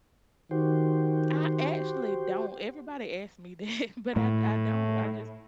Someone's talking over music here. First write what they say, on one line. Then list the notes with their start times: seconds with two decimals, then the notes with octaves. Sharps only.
I actually don't. Everybody asks me that, but I I don't. I just
0.51 D#3 F#4 G4 C5
4.16 A2